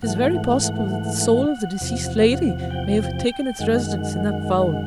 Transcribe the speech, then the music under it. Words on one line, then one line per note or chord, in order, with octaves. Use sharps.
'Tis very possible, that the Soul of the deceas'd Lady may have taken its Residence in that Fowl.
G#2 E3 A3 F#5
E2 C3 F3
G5
F#2 D#3 G#3 F#5